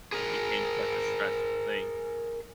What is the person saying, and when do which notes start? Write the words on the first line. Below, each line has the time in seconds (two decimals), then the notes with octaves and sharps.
Became such a stressful thing.
0.12 G#4 A#4